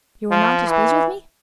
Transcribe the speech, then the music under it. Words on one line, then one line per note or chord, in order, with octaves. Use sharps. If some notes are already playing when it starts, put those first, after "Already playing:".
"You are not displeased with me?"
F3
E3